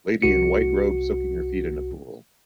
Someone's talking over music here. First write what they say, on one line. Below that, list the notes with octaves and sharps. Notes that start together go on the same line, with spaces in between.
Lady in white robe soaking her feet in a pool.
C2 F#4 C#7